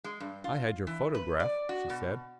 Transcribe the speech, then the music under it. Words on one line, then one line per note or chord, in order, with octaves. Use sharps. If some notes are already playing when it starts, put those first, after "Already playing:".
"I had your photograph," she said.
G#3
G2
F4
E3
B4
D5
F#4
B2